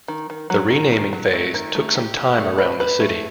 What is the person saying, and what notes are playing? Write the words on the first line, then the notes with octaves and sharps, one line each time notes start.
The renaming phase took some time around the city.
D#3
D#3
F#3
D#3
D#3
F#3
A3
D#3
A3
G4
G4
A3
B4
B4
A3